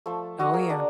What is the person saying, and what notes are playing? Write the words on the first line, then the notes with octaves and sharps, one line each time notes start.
Oh, yeah.
F3 A3
F#4 D#5 F#5
A#3 G#4 A#4
D4